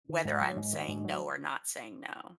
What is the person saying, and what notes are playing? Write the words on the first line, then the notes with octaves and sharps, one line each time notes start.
whether I'm saying no or not saying no,
D#3
G#2
F#3
G#2
D#3
G#2
F#3